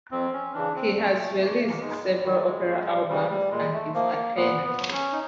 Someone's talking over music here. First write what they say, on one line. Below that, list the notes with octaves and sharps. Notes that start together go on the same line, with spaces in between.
He has released several opera albums and is a tenor.
F2 C4
C#4
C#3 E3 D4
C4
F2 A3
G#3
A3
C3 E3 A3
A#3
G#2 G#3
G3
D#3 F#3 G3
G#3
F#2 G#3
G#3
G3
C#3 E3 G3
G3
A#2 G#3
A3
F3 A#3
A#3
A#2 B3
B3
F#3
C#4
D#4